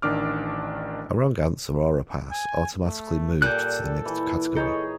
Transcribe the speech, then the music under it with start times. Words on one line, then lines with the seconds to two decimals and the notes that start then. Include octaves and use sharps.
A wrong answer or a pass automatically moved to the next category.
0.02 A1 D#3 D4 D6 F6
2.31 G#5
2.84 A3
3.42 A#2 G3 A4 F#6 G6
4.05 E3
4.56 D#4 G#4 A4 C#5